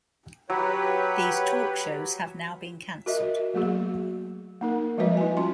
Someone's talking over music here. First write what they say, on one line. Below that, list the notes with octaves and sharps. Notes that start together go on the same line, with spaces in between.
These talkshows have now been cancelled.
F#3 G4 B4 C#5
F#4 A#4 D#5 E5
F#3 A3 A#3 F#4 G#4
A#3 D#4 A#4
F3 G3 G#3 F#4 B4 D#5
E4 G#5
C#4 F4 C6